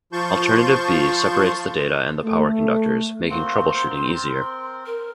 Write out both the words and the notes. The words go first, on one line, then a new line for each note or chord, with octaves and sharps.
Alternative B separates the data and the power conductors, making troubleshooting easier.
F3 F4 A5 C6 C#6 G6
A3
A#3 C4 F#4 C6
C4 A#4 C5
C4 A#4
A#4